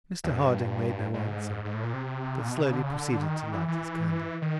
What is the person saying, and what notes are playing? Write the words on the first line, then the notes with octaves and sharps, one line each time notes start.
Mr Harding made no answer, but slowly proceeded to light his candle.
E2
F#2
G2
G#2
G#2
A2
A#2
C3
A#2
B2
C3
C#3
D3
C#3
D3
D3
D#3
E3
E3
D#3